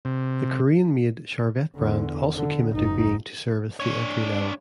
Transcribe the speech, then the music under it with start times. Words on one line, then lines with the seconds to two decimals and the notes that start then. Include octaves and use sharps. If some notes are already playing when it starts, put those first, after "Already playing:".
The Korean-made Charvette brand also came into being to service the entry-level.
0.05 C3
1.76 E2 D3
2.37 D3
2.74 F#1 D#4
3.80 D4 C#5